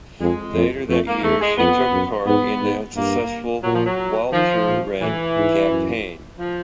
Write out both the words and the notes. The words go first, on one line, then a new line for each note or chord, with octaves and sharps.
Later that year she took part in the unsuccessful Walcheren Campaign.
F2 G#3
F2
F2 A3
A#3
E2 A3
G#3
F2 B3
F#2
G#2 B3
G#2
G2 A#3
A#2 F#3
F3
F#3
D#3 F3
A#2
A2 E3
G#2
F#2
F3